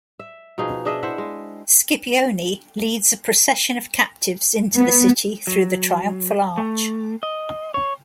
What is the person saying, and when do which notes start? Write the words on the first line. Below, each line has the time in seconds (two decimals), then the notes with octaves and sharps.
Scipione leads a procession of captives into the city through the triumphal arch.
0.19 E5
0.58 B2 F3 D#4 G#4
0.85 D4 G#4 D#5 E5
1.03 E4 C5 E5 F#5
1.18 G#3
4.75 B3
5.47 F#3
6.58 A3
7.23 D#5
7.74 C#5